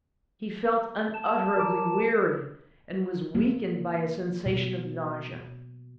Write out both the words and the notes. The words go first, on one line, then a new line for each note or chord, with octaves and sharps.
He felt unutterably weary, and was weakened by a sensation of nausea.
A5
A#4 D6
A#3
B2